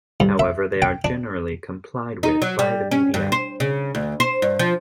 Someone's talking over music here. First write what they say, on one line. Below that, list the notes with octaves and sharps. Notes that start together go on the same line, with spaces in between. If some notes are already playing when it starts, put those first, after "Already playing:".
However, they are generally complied with by the media.
G2
E5
G5
D4
D#4
F#3
G3
C#4
G2
C5
C#3
D2
C5
G2
F3